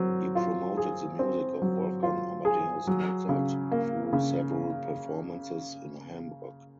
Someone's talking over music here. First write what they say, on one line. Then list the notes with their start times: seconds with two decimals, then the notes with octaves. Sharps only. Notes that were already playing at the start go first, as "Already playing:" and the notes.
He promoted the music of Wolfgang Amadeus Mozart through several performances in Hamburg.
Already playing: F#3 C4
0.35 F4
0.77 G#4
1.19 C4
1.62 F#3
2.03 F4
2.45 G#4
2.87 F#3
3.29 C#3
3.71 A#3
4.13 C#3